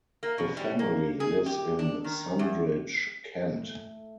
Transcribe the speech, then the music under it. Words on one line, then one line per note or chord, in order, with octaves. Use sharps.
The family lives in Sundridge, Kent.
A#3
B2
G3
A#3
G#4
G4
D4
D#3
E2
A3